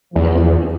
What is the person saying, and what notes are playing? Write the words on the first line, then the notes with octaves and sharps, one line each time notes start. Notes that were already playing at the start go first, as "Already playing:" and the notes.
And able.
E2